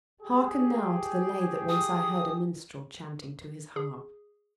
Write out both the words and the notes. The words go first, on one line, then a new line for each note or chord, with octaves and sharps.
Hearken now to the Lay that once I heard a minstrel chanting to his harp.
G4 G#4
D#6
G#4